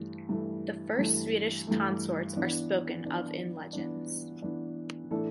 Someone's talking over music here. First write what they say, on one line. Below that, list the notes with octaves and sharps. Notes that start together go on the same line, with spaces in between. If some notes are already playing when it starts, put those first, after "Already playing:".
The first Swedish consorts are spoken of in legends.
Already playing: G2 E3 A3
G2 E3 A3
G2 E3 A3
G2 E3 A3
E3 B3 D4
E3 B3 D4
E3 B3 D4
E3 B3 D4
A2 E3 A3 D4 A4